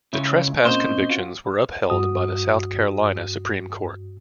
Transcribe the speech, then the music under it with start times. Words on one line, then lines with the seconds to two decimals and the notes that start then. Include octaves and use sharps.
The trespass convictions were upheld by the South Carolina Supreme Court.
0.13 C#2 C#3 E4 C#5 E5
0.65 A#2 A#3 C4 C#4 C5 D#5 D#6
1.10 F4 F#4
1.90 G2 F#4 D#6